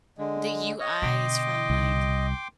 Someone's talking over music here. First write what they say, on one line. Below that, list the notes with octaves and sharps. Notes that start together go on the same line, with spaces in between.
the UI is from, like,
D3 G#3
C#5 D#5
B2 D3 G5 C6 D6
C2